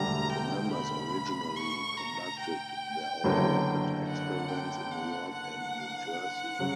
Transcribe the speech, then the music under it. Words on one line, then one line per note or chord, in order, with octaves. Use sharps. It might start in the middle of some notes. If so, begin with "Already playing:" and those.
The members originally conducted their own rocket experiments in New York and New Jersey.
Already playing: E1 D2 D3 G3 A#5
G5
B5
C#6
A#5
G5
F#1 E2 D3 F#3
F#5
G5
F#5
F#5
C#3 F#3